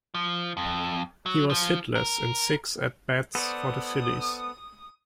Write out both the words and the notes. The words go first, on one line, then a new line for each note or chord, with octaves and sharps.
He was hitless in six at-bats for the Phillies.
F3
F2
F#3
F3
A#4
B3 A4 C5 D5 D#6